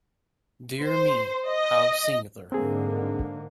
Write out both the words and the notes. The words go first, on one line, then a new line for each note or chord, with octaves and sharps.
Dear me, how singular!
C5
D#5
G#2 D3 A#3 C4 G#4